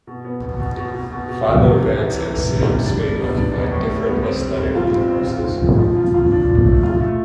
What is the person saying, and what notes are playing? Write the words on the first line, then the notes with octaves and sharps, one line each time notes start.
Philo Vance and Sam Spade occupy different aesthetic universes.
B2
B3
B2
B2
B2
B2
B2
B2
G3
C3
E3
E3
E3
E3
G3
C3
D4
G3
B3
D4
B3
A2
G3
B3
C4
G3
C4
F4
C4
C4
F4
C4
F3
F3
F4
F4
D4
F3
A3
F4
A3